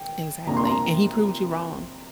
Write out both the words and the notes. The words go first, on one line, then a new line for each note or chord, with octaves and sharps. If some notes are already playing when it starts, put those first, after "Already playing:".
Exactly, and he proved you wrong,
Already playing: G5
F2 C3 A#3 D4 A#5
C6
A#5